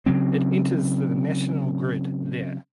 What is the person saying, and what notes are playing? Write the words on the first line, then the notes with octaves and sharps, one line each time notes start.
It enters the national grid there.
C#3 F#3 C4